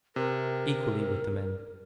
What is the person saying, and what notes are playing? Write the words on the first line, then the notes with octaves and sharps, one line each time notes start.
Equally with the men.
C3 A#4